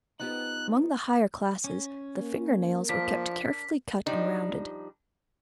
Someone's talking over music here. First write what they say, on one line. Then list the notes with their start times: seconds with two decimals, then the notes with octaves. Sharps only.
Among the higher classes the finger-nails were kept carefully cut and rounded.
0.20 F3 B3 D#4 G4 F#6
1.64 C#4
2.18 A#3
2.89 F3 D4 A#4 B6
4.06 F3 G3 D4 D#4